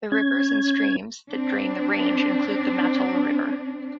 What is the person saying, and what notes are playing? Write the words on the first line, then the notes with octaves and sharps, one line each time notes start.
The rivers and streams that drain the range include the Mattole River.
C#4 G#6
C4 D4